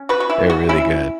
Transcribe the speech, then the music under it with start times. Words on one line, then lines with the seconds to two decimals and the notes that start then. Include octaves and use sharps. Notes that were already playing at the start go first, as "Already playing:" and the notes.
They're really good,
Already playing: C#4
0.09 F#4 B4
0.20 F#4
0.30 E3 E4
0.50 F#4
0.69 C#4 E4